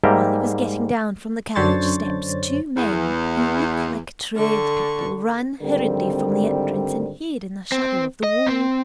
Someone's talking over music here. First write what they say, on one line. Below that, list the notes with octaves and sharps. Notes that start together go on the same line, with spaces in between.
While he was getting down from the carriage steps two men, who looked like tradespeople, ran hurriedly from the entrance and hid in the shadow of the wall.
G#2 G3 A#3 E5 G5 A#5
F#2 D3 D4 C5 C#5 A6
E2
D3 C#6
G#1 D3 G3 C4 A#4
C4
D#5
C4